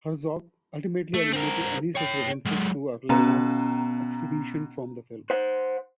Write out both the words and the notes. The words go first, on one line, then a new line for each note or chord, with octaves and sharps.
Herzog ultimately eliminated any such references to Orellana's expedition from the film.
A3
C4 A#4
C#5 G5
F#3 G#3
B2 B3 C#4 A#5
C5 F#5